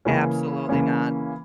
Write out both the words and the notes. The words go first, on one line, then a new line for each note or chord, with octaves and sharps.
Absolutely not.
C#3 E3 A#3 C#4
C#3 E3 A#3 C#4